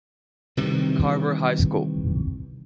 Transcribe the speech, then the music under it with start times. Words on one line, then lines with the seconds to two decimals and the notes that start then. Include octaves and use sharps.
Carver High School.
0.57 C3 D#3 E3 G3